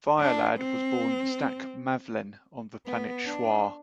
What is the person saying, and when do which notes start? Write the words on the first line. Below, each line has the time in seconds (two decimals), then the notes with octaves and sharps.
Fire Lad was born Staq Mavlen on the planet Shwar.
0.20 D4
0.59 C4
2.87 B3
3.25 D4